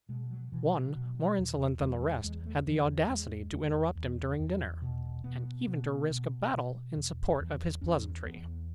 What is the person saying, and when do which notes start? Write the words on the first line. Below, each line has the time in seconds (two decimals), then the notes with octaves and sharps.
One, more insolent than the rest, had the audacity to interrupt him during dinner, and even to risk a battle in support of his pleasantry.
0.09 B2 G#3
0.31 F#3
0.52 B2 E3
0.73 F#3
0.95 B2
1.38 E2
1.80 E2 G#3
2.02 G#3
2.24 E2 G#3
2.46 A3
2.67 E2 E3
3.09 E2 G#3
3.52 E2
3.95 E2
4.39 E2
4.82 B2
5.24 B2 B3
5.67 B2 B3
6.10 B2
6.53 B2
6.96 E2
7.40 E2
7.82 E2 C#4
8.25 E2 B3